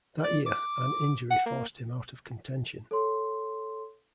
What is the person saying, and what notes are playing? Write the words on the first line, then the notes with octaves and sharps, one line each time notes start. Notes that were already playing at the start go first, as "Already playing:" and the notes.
That year, an injury forced him out of contention.
D5
D6
F#5
A#3
A4 C#5 C6